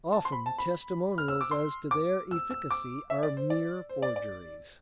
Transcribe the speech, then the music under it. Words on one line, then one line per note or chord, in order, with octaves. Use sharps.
Often testimonials as to their efficacy are mere forgeries.
A5
C6
B5
A5
B5
F6
E6
D6
C6
D6
E6
E6
D6
E5
D5
C5
D5
C5
D5
D5